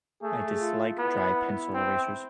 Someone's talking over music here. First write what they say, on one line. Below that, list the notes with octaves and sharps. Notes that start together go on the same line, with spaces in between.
I dislike dry pencil erasers.
A3 G#4
F4
B3 E4
C4